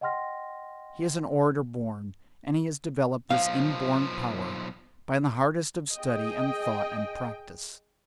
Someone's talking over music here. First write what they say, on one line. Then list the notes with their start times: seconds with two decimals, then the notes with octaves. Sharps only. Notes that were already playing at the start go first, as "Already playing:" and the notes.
He is an orator born, and has developed this inborn power by the hardest of study and thought and practice.
0.01 D#5 F#5 G5 C6 F6 A#6
3.30 B1 F3 F5
5.94 G#4 D#5 G5